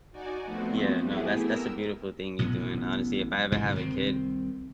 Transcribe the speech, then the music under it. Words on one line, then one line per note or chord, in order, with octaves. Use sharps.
Yeah, no, that's that's a beautiful thing you're doing, honestly, if I ever have a kid,
D#4 F#4 D5 G#5
F3 A3 B3 C4 F#4
A3 B3 E4 G4 G#4
A#4 E6
A1 B2 F#3 B3
G1 G#2 C3 E3
C2 D#3 F#3 C4